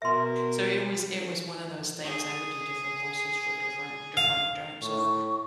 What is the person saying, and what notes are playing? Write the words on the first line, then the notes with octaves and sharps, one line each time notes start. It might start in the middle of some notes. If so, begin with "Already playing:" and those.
So, i it was it was one of those things. I would do different voices for different different types of
B2 A#4 E5 C6
G#4
F5
A2 C#6